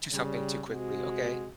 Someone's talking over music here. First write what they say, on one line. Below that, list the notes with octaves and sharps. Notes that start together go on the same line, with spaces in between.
Do something too quickly. Okay.
C#3 G3
C3 G#3 F#4